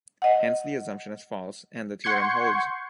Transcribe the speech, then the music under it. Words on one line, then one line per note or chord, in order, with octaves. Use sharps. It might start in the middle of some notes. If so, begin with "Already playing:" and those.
Hence the assumption is false and the theorem holds.
D#5 F#5
F#5 C6 C#6 G6 G#6 C#7